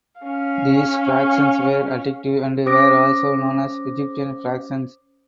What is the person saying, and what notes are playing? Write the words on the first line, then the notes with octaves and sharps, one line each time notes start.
These fractions were additive and were also known as Egyptian fractions.
C#4 F5
C#4 C5 D6 D#6 A#6 D7